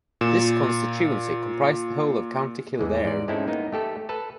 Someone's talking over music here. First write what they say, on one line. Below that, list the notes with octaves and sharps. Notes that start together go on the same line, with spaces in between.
This constituency comprised the whole of County Kildare.
A#2 E7
E2 E3 G#3
G#2 D5
G#3 C4 C#4 D#4 E4 A4
A#3 B3 D#4
A3 G4 A4
A4 B4 A5